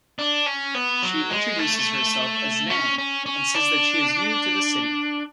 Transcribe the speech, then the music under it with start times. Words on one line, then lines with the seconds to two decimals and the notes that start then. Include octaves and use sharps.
She introduces herself as Nan, and says that she is new to the city.
0.19 D4
0.46 C#4
0.74 B3
1.03 F#3
1.30 G#3
1.59 A3
2.70 C#4
2.98 C#4
3.26 C#4
3.54 D4